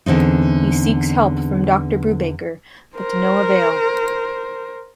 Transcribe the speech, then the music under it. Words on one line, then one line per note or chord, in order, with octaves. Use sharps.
He seeks help from Doctor Brubaker, but to no avail.
E2 D3 C4 D#4
A#4 C5